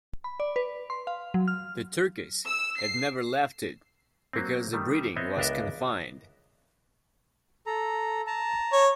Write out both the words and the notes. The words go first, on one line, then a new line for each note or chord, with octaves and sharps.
The turkeys had never left it because the breeding was confined.
B5
D5
B4
C6
F5
F#3
F6
E6
C7
F#3 A#3 C4
D#3 G3 A3
B3 C4 C#5 D#5 E5
C#2 B3 D4 A#4 D#5 E5
A4 A#5
A5 A#5
C#5